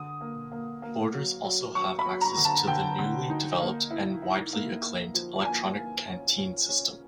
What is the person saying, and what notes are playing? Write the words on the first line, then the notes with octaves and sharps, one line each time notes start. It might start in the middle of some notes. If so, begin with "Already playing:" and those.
Boarders also have access to the newly developed and widely acclaimed electronic canteen system.
Already playing: D3 D#6
A#3
A#3
A#3
F#3
F#3
F#3 C#6
B5
F#3
A#5
D3
A5
D3 G5
D3
D#4
A#3
E4
E4
A#3
A#3
F3
A#3 G#5
A#3
C#4
C#4
C#4